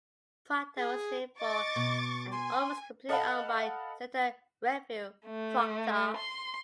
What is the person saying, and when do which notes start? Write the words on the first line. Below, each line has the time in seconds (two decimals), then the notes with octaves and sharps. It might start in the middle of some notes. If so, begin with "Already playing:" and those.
Proctor was named for and almost completely owned by Senator Redfield Proctor.
0.76 G#4
1.40 D#5 C#6 D6 A6
1.76 B2
2.32 G#5 C6
3.09 A4 D#5 F5 F#5 A5 B5
5.26 A3
6.17 C6